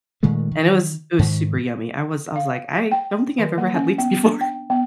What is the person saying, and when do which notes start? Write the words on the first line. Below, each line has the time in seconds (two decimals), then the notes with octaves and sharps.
and it was it was super yummy, I was I was like, "I don't think I've ever had leeks before,
0.23 A#2 D#3 G#3 A3
0.51 D#3
1.19 G#2 D#3
2.36 F5
2.92 G5
3.38 D#3
3.58 A#3
3.74 C#4
3.98 B3
4.24 D4
4.41 G5
4.70 B3